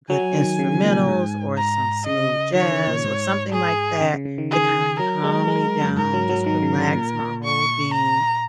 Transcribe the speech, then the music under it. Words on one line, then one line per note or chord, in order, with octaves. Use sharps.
good instrumentals or some smooth jazz or something like that to kinda calm me down, just relax my whole being,
F#3 G#5
D#3
C#3
A#2
G#2
A#5
C#3 D#5
D#3 C#5
C#3
A#2
G#2
G#4
C#3
C#3
C#3
D#3
G#4
F#3 A#4
G#3
G#3
F#2
G#2 A#4
F#3
F#3
D#3 A#4
C#3
C#3
A#2
A#2
C#6
A#5